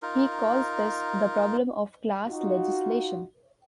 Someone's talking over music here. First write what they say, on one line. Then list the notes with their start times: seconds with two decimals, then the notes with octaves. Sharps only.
He calls this the problem of class legislation.
0.02 D#4 F4 A#4
2.28 D#4 F4 F#4